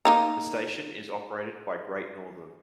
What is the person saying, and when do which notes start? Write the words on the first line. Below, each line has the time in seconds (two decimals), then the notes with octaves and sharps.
The station is operated by Great Northern.
0.05 A#3 D#4 A#5